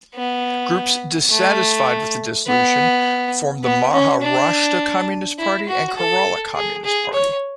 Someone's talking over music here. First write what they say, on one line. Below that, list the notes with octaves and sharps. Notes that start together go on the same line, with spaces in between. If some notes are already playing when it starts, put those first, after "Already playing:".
Groups dissatisfied with the dissolution formed the Maharashtra Communist Party and Kerala Communist Party.
B3
A3
B3
B3
C#4
D4
E4
F#4
A4
G#4
G#4
C#5